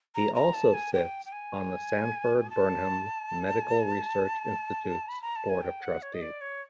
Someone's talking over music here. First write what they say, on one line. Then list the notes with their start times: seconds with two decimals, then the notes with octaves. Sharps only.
He also sits on the Sanford-Burnham Medical Research Institute's Board of Trustees.
0.15 A#5
0.35 A#5
0.54 A5
0.74 G#5
0.94 G5
1.26 G5
1.32 G#5
2.50 A5
5.08 B5
5.22 A#5
5.36 A5
5.49 G#5
5.63 G5
5.82 F#5
6.02 C#5
6.14 D#5
6.21 D5
6.41 C#5